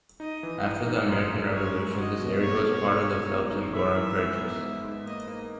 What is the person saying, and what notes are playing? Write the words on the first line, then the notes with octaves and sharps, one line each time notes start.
After the American Revolution, this area was part of the Phelps and Gorham Purchase.
D#4 D#5
E3
E3
D#4
F#2 D#5
F#2
F#2 C#5
G#3
F#4 D#5
B2
A#3 C#5
B2
D#4
G#3
B2
D#4
E3 E5
E3
G#2
B3
G#2
G#2
A#3 D#5
A#3